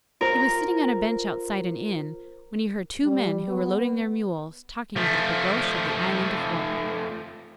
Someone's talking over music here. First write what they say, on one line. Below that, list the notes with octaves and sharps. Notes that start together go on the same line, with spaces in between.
He was sitting on a bench outside an inn, when he heard two men who were loading their mules talking about the Groac'h of the island of Lok.
F4 A#4 C5
G3
B3
F3 A3